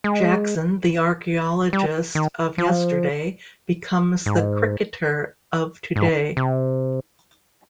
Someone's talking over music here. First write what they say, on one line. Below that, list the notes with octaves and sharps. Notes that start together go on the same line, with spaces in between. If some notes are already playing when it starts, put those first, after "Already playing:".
Jackson, the archaeologist of yesterday, becomes the cricketer of today.
G#3
G3
D#3
F3
G#2
G#2
C3